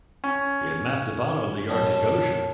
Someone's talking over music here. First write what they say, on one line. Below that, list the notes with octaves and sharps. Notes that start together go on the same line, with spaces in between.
It mapped the bottom of the Arctic Ocean.
C#4
F#2 B2 A5